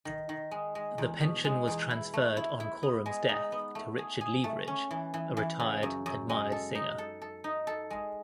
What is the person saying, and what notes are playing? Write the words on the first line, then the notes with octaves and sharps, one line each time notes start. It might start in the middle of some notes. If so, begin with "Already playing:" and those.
The pension was transferred on Coram's death to Richard Leveridge, a retired admired singer.
D#3
D#3
G#3
G#3
E2
B2
G#3
E2
E4
A3
E4
E4
B3
G#3
D#4
B3
A3
G#4
G#4
A3
C#4
E3
E3
E3
C#3
F#2
F#2
G#3
A4
D#4
A4
A4
D#4
A4
G#3